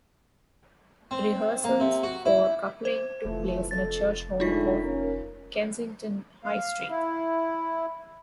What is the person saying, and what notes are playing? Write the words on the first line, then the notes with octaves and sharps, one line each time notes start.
Rehearsals for "Coupling" took place in a church hall off Kensington High Street.
C4
A#3
C3
F#4
E4
C5
F1 E3 F3 A3
F2 A4 A6
A2 D3 G#3 D#4 F4 B6
A#3 C#4 A#4
F5
E4